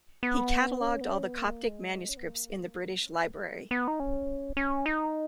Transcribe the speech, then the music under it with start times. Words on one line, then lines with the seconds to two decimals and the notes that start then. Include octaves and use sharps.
He catalogued all the Coptic manuscripts in the British Library.
0.23 B3
0.81 C#4
1.01 B3
1.09 C#4
1.23 B3
1.38 A#3
1.68 G#3
2.09 C#4
2.17 B3
2.25 A#3
3.06 C#4
3.12 B3
3.71 B3
3.88 D#4
4.00 C#4
4.57 C#4
4.86 D#4